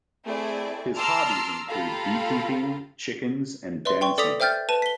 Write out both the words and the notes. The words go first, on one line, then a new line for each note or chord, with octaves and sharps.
His hobbies include beekeeping, chickens and dancing.
A3 C4 E4 G#4 D5 G#5
A5 A#5 C6 D6 E6 F6
F4 G4 A4 F5 A#5 B5
B4 D5 E5 C6
G5 C6 C#6
A4 D5 D6 D#6 B6 F7
C5 E5 G5 F6 G6 A6
B4 A5 D#7
B6 G7